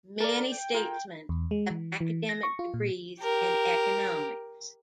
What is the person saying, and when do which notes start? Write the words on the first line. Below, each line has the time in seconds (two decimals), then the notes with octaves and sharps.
Many statesmen have academic degrees in economics.
0.20 A4 A#4 D5
0.51 G5
0.74 F4 G#4 A#4
1.29 E2
1.51 G#3
1.71 E3
2.01 E3
2.29 A#6
2.43 C#6
2.59 F4
2.74 A#2
3.22 G4 A#4